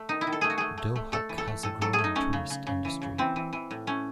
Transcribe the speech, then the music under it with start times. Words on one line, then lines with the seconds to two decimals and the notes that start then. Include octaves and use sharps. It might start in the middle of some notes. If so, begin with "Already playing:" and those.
Dohuk has a growing tourist industry.
Already playing: A3
0.09 D#3 D#4
0.21 E4
0.27 D#3
0.33 A4
0.41 A3 G#4
0.50 F#4
0.58 A3 G#4
0.78 A3
0.96 A3
1.12 A3 A4
1.29 E3
1.38 A4
1.48 A3
1.63 A2 A4
1.81 F#3 A4
1.93 G#4
1.99 A3
2.04 D#4
2.15 A3 C#4
2.33 C#3
2.50 C#3
2.67 C#3
2.85 E3
3.02 C#3
3.18 E3 C4
3.36 E3
3.53 E3
3.71 A2
3.87 A3 C#4